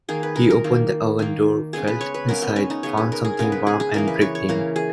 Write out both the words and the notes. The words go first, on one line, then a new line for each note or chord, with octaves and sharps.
He opened the oven door, felt inside, and found something warm and wriggling.
D#3 A#3 G#4
B4
A#4
A#4
D#3 A#3
D#3 A#3
C#3 G#3 B3 G#4
B4
C#5
B4
C#3 G#3 B3 A#4
B3
C#4
D#4
C#3 G#3 B3 C#5
B4
A#4
G#4
C#3 G#3 B3 A#4
B4
G#4
G#4
C#3 E3 A#3 A#4
B4
C#5
C#5
C#3 E3 A#3 A#4
G#4